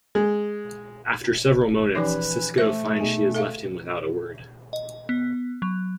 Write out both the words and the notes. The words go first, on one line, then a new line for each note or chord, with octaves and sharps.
After several moments, Sisko finds she has left him without a word.
G#3
E3 F3 C#4 D#4 G4 B4 G#5
A3 C5 E5
B2 D#4 G#4
A4 E5 F5
D#5
B3
F#3